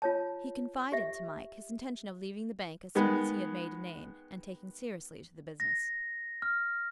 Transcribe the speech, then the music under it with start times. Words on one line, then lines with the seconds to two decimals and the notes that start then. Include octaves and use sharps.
He confided to Mike his intention of leaving the bank as soon as he had made a name, and taking seriously to the business.
0.02 F4 C#5 A5
0.92 G4 E5
2.95 D#3 G#3 B3
5.60 A#6
6.42 F6